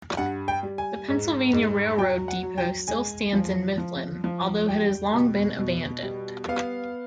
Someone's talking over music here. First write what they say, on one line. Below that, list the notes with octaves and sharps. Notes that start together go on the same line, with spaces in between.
The Pennsylvania Railroad depot still stands in Mifflin, although it has long been abandoned.
G2 F#5
G5
G3
G#5
G#2
G#2
F#3 G5
F#5
F#3
G5
G#3 G#5
F3
F3
F3
G3 G5
B2
B2
G3
B3 F5